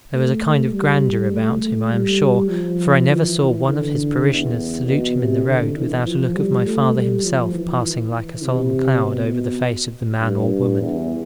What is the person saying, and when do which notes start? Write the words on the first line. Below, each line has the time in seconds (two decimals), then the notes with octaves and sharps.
There was a kind of grandeur about him, I am sure; for I never saw one of his parishioners salute him in the road, without a look of my father himself passing like a solemn cloud over the face of the man or woman.
0.13 A3
0.43 A3
0.73 G3
1.32 A3
1.61 A3
1.91 G3
2.50 F3
3.10 E3
3.69 D3
4.29 E2
4.87 B2
5.17 C3
5.46 D3
5.77 E3
6.07 F3
6.36 G3
6.66 A3
6.95 G3
7.24 F3
7.54 E3
7.84 E3
8.43 C3
9.02 B2
10.21 G2
10.81 E2